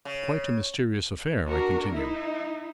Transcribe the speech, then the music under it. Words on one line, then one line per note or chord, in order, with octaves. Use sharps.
"Quite a mysterious affair!" I continued.
C#3
D4 F#4 A#4
D#4 E4